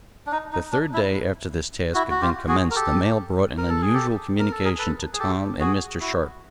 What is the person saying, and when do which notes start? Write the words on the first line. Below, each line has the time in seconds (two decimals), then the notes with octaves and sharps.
The third day after this task had been commenced the mail brought an unusual communication to Tom and Mr. Sharp.
0.27 D4
0.32 D#4
0.53 D#4
0.72 D4
0.94 E4
1.94 E4 F#4
2.11 F#4
2.21 F4 G4
2.48 F#4 G#4
2.71 A#4
2.76 G4 A4
3.58 A#4
3.69 A4
3.82 G#4
3.94 G4 A4
4.39 A#4
4.52 A4
4.64 G#4 A#4
4.78 A4 B4
5.13 G#4
5.19 G4 A4
5.60 F#4 G#4
6.01 E4 F#4